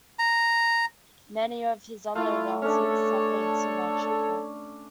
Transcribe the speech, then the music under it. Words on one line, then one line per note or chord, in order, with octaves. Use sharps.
Many of his other relatives suffered similar treatment.
A#5
A3 E4 F4
C#4 D4 A4 C#5